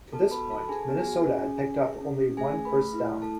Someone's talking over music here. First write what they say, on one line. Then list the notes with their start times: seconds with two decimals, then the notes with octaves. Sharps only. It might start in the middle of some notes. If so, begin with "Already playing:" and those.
To this point, Minnesota had picked up only one first down.
0.12 B3 A4 A5
0.31 F#4 B4 B5
0.50 A4 A5
0.69 D4 G#4 G#5
0.88 B3
0.97 G#4 G#5
1.07 F#4
1.25 C#4
1.44 C#4
1.63 G#4
1.81 G#4
2.01 C#4
2.20 C#4
2.37 A3 G#4 G#5
2.56 G#4
2.65 B4 B5
2.75 A3
2.94 E4
3.13 A3
3.22 A4 A5